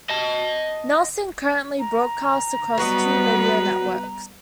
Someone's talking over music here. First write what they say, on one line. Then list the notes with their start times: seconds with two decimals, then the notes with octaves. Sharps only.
Nelson currently broadcasts across two radio networks.
0.10 D#5 A5
1.80 A#5
2.78 F#3 G3 B3 F#4 B4 D#5